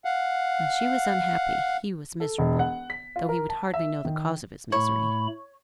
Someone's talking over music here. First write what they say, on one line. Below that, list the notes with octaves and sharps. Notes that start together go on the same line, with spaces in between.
When she was unhappy he was miserable, though he would hardly know the cause of his misery.
F5 F#5
A4
E1
F#5
B6
F4
A#4
A5
E5
D#3
A2 A3 C#5 B5